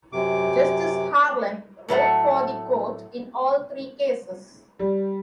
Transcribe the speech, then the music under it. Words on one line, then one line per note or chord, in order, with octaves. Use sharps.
Justice Harlan wrote for the Court in all three cases.
F#2 C3 D6
A2 F#3 A3 F#5
G3